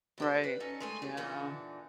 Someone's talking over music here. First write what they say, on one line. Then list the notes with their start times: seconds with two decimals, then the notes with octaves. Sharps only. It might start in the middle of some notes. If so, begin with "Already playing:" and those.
Right. Yeah.
0.18 E2 G4 C5
0.44 G3 B4
0.60 C#4 D#4 A4
0.80 G#3 A3 G#5
1.02 G4
1.17 E2 A#2 D3 E3 D4 D#4